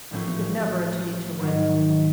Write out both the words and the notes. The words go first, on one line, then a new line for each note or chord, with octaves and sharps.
He could never attain to it.
A1 A2 F3 A3 C#4
G#2 D#3 F#3